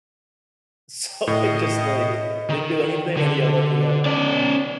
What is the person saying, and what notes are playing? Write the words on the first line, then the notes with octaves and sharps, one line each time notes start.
So I just, like, didn't do anything and, yeah, luckily, I won.
A2 D#5
D#3
D3
C#4 D5